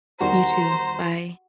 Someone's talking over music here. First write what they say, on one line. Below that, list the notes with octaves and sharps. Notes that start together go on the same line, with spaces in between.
You, too. Bye.
E2 D#3 G3 F#4 C5 A#5